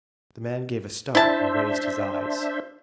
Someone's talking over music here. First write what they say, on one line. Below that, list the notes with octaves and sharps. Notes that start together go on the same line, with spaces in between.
The man gave a start and raised his eyes.
D4 E4 C5 E5 A5